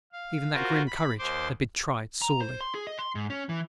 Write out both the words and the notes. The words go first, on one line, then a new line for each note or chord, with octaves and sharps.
Even that grim courage had been tried sorely.
F5
F4 F#4 A#4 C5
B5
D#2 C5 C6 D6
A#5
C5
C6
G#4
D#5
C6
G#2
C#4
E3